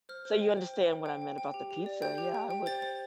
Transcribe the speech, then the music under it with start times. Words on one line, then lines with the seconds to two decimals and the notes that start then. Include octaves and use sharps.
So you understand what I meant about the pizza yeah, I would
0.09 C5 F6
0.25 C5
0.41 G5
0.57 C5
0.74 C5
0.90 G5
1.06 G5
1.22 G5
1.38 G5
1.54 G4
1.71 G4
1.86 D5
2.02 G5 G6
2.18 G4
2.34 G5
2.51 G5
2.66 C5 A6
2.82 C5